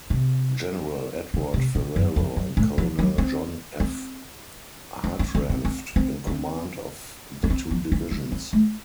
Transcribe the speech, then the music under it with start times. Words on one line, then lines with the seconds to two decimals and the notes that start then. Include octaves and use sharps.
General Edward Ferrero and Colonel John F. Hartranft in command of the two divisions.
0.10 C3
1.34 C#3
1.54 C3
1.75 A#2
1.96 F#2
2.16 F2
2.36 F#2
2.57 A2
2.78 F3
2.99 F#3
3.18 C4
3.80 C4
5.04 C4
5.19 C#4
5.35 C4
5.49 C4
5.65 C4
5.96 C4
6.27 C4
7.44 C#4
7.50 C4
7.71 F3
7.92 C#4
8.11 C4
8.32 C4
8.53 A3